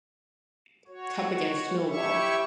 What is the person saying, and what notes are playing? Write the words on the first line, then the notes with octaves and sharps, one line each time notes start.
Cup against Millwall.
F#4 C#5
E4 G4 C#5 E5 C#6